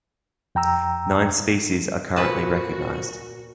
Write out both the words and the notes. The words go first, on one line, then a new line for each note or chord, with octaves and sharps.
Nine species are currently recognized.
F2 G5 A#5 E6
A#2 F4 F#4 B4 C5 G#5 A5